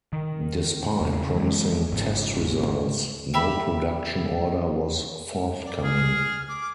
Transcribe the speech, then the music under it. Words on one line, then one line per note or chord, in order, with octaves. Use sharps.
Despite promising test results no production order was forthcoming.
D#3
E2 C#3
E3 G#3
G#1 G#2 C#3
G4 E5 B5
D5
G#4 F6
D6